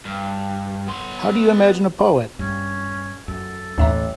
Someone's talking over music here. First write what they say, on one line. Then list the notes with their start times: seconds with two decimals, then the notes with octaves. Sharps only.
How do you imagine a poet?
0.05 G2
0.88 B3 C6
2.39 G2 C#4
3.28 F#2 A4
3.78 A1 D#2 E5 A#5